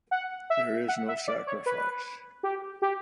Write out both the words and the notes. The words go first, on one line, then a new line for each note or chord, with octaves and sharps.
There is no sacrifice.
F#5
E5
F#5
E5
D5
C#5
B4
G4
G4